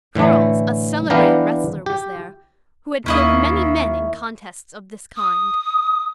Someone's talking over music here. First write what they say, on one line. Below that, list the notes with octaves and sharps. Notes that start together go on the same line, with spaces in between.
Charles, a celebrated wrestler, was there, who had killed many men in contests of this kind.
A2 D3 E3 A3
E3 B3 D4 F5 G5 A#5
G4
D#2 C#4 E4 D#5
D#6